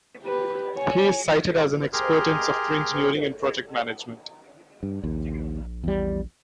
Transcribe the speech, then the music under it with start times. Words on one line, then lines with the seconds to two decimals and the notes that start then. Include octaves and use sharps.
He is cited as an expert in software engineering and project management.
0.23 G4 B4
0.75 C#5 G#5
1.93 G4 G#4 A#4 C6
4.83 G2
5.04 A#1 D#2
5.84 E2 G3